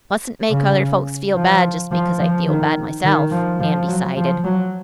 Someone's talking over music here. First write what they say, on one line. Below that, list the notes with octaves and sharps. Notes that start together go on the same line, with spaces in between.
"Mustn't make other folks feel bad just because I feel bad myself," Nan decided.
C#3
F3
F3
F3
D#3
D#3
F3
F3
F#3
F3
F#3